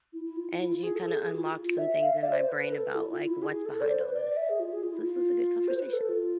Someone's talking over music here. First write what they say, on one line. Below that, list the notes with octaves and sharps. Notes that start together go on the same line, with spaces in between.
and you kinda unlocked some things in my brain about, like, what's behind all this. So this was a good conversation.
E4
E4
F4
E4
F4
G#4
A4
G#4
G#4
E4
F4
F4
E5
F5
E5
D5
C5
B4
A4
E4
F4
E4
G#4
A4
D5
C5
B4
D5
D5
E5
G#4
F4
G#4
F4
E4
F4
C5
B4
A4
F4